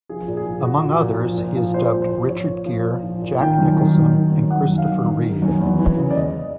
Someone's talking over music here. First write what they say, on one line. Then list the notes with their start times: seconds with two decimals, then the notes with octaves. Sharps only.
Among others he has dubbed Richard Gere, Jack Nicholson and Christopher Reeve.
0.09 F3 G#4
0.28 A#2
0.37 G#4
0.46 F3
0.64 A#2 F#4
0.83 F3
1.01 A#2
1.20 F3
1.38 A#2
1.56 F3
1.74 A#2 C5
1.93 F3
2.02 C5
2.12 A#2
2.29 F3 C#5
2.48 A#2
2.66 F3
2.85 A#2
3.04 F3
3.22 A#2
3.40 D#3 G5
3.58 F#2
3.77 D#3
3.95 F#2
4.14 D#3
4.32 F#2
4.50 D#3 F#5
4.69 F#2
4.78 F5
4.87 D#3
5.05 F#2
5.23 D#3
5.42 F#2
5.60 E2
5.79 E3
5.97 C#3
6.11 D5
6.15 E2 D#5